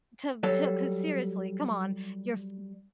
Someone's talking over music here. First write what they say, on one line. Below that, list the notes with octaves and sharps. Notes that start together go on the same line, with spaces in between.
to to 'cause seriously, come on, you're f
F#3 G3 A4